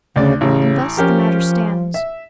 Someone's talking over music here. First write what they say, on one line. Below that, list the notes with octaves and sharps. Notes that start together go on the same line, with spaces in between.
And thus the matter stands.
D2 C#3 D5
A1 C#3
F3 C#4 G4 A#4
E5